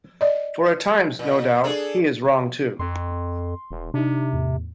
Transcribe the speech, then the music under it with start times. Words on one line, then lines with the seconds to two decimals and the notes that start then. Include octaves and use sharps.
For at times, no doubt, he is wrong too.
0.21 D5 D#5
1.19 A#2
1.64 D4 G#4 A4
2.79 F2 C6
3.71 E1
3.94 C3 D4 D#4
4.33 E2 A2